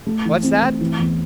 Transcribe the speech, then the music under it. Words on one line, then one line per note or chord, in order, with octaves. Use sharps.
"What's that?"
A3
E3
C4
A3
E3
E2